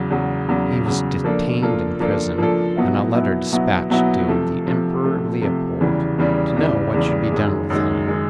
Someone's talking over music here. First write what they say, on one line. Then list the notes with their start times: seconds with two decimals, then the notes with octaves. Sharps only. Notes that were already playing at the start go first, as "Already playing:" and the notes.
He was detained in prison, and a letter despatched to the Emperor Leopold, to know what should be done with him.
Already playing: E2 C#3 F#3
0.10 E2 C#3 F#3
0.48 E2 C#3 F#3
0.86 E2 C#3 F#3
1.24 F3 A#3 D4 F4 A4
1.62 F3 A#3 D4 F4 A4
2.00 F3 A#3 D4 F4 A4
2.38 F3 A#3 D4 F4 A4
2.76 B2 F#3 B3 E4
3.14 B2 F#3 B3 E4
3.52 B2 F#3 B3 E4
3.90 B2 F#3 B3 E4
4.28 C3 F3 A3
4.66 C3 F3 A3
5.04 C3 F3 A3
5.42 C3 F3 A3
5.80 E2 C#3 E3 G3
6.18 E2 C#3 E3 G3
6.56 E2 C#3 E3 G3
6.94 E2 C#3 E3 G3
7.32 F#2 D#3 G#3
7.70 F#2 D#3 G#3
8.08 D#3 G#3